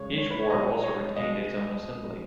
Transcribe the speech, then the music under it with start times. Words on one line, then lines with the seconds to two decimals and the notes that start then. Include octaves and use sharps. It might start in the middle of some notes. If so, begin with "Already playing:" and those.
Each ward also retained its own assembly.
Already playing: C#3 G#3 C#5
0.18 C#5
0.31 B4
0.40 C#5
0.50 B2 G#3 D#5
0.83 C#5
1.15 B2 G#3 D#5